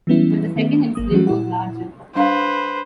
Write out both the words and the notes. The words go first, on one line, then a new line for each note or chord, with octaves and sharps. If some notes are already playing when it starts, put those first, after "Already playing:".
But the second incident was larger.
E3 F#3 G3 B3 C#4 E4
D#3 A3 B3 C#4
G#1 A#3 D#6
E3 F#3 G3 A3 C#4 F#4
A#2 E4 F#5
G3 D4 B4 C5 F5